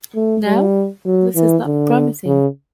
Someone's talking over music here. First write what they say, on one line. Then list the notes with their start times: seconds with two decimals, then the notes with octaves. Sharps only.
Now, this is not promising.
0.15 A3
0.46 G3
1.06 F#3
1.36 E3
1.66 D3
2.26 C#3